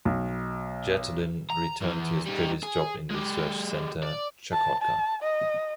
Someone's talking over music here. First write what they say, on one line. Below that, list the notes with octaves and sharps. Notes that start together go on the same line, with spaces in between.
Yetylin returned to his previous job in research centre "Chukotka".
B1
A#5
E2 E3
G3 D#4
G#4
G#3 G4
D5
A5
A5
D#5